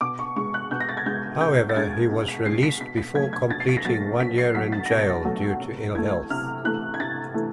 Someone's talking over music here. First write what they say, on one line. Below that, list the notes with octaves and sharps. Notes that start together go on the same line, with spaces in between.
However, he was released before completing one year in jail due to ill health.
B2 D6
C#6
G#3 C#6
F#6
B2 G6
A#6
A6
G#6
G#3 G6
B2 G6
A6
G#3 G#6
B2
B6
G#3 C7
B6
B2 B6
B6
F#3 A3 G#6
G#6
B2 A6
C7
B6
A#6
F#3 A3 A6
B2 B6
C7
F#3 A3 B6
A6
B2 A#6
A6
F#3 A3
C3
E3 A3 G#6
C3 F6
E3 A3 F#6
G#6
C3 A6
E3 A3